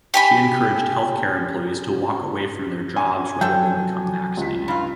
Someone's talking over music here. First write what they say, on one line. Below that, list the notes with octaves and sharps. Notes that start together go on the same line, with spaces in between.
She encouraged healthcare employees to walk away from their jobs rather than become vaccinated.
G4 G#5 B5
G#5
F#3 A4 G5
C#2 B6
G2 F4